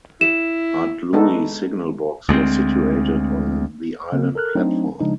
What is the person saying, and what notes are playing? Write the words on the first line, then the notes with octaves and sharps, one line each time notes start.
Ardlui signal box was situated on the island platform.
E4 E7
G#3 B3 D4 D#4 F#4 A4
D2 G#3 B3 C4
C#3 A#3 C4
A4 A#4 F6 F#6
F#3 A3 C4 D4 D#4
C#3 F3 G#3 D4 D#4